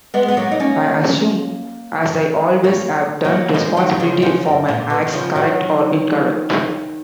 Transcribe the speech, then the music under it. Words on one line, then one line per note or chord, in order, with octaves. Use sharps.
I assume, as I always have done, responsibility for my acts, correct or incorrect...
G#3 B3
B3
F#3 A#3
D#4
A#3 C#4
A#3 C#4
F#3 A#3
F3 G#3
D#3 F#3
C#3 F3
C#3 F3
F#2
A#2
B2
D#3
C#3 F3
D#3 F#3